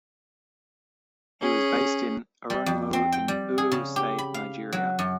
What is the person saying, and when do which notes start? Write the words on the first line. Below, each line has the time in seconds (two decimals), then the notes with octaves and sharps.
He was based in Erunmu in Oyo State, Nigeria.
1.40 C#4 G#4
2.50 G3
2.66 F2
2.93 C4
3.12 G5
3.28 G3
3.58 G#4
3.72 C#3
3.96 G4
4.18 B5
4.34 F5
4.73 F#3
4.99 F#2